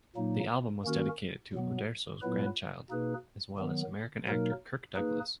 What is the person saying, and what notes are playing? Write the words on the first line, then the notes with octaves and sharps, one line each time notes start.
The album was dedicated to Uderzo's grandchild, as well as American actor Kirk Douglas.
A#2 F#3 A#3 D#4
D#3 A#3 C#4 F#4 A#4
B2 F#3 B3
A#2 F#3 B3 E4 B4
B2 A#3 D#4 G#4 B4
D#3 F#3 B3
B2 F#3 A#3 D#4 A#4
A#3 D#4 G#4 B4